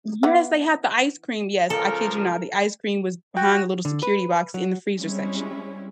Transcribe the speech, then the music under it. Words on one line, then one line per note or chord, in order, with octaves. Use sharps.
Yes, they have the ice cream, yes, I kid you not, the ice cream was behind the little security box in the freezer section.
E3 B3
C#2 F3 A4 A#4
F#4 G5
D3
B4
F#3
G3 G#3 C4 C#4 E4